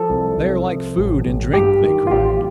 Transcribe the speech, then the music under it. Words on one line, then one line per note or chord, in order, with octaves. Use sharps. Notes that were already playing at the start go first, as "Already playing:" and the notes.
"They are like food and drink," they cried.
Already playing: F3 A4
C2
C2
F3
A1
A1
G2 G4
D#3
F4
A1 G4